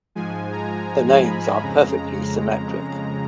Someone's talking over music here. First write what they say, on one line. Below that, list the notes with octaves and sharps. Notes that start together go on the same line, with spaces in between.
The names are perfectly symmetric.
G#2 F3 G#3 G#5
A#5
A#5
B5
F2 C#3 G#3 A#5
A#5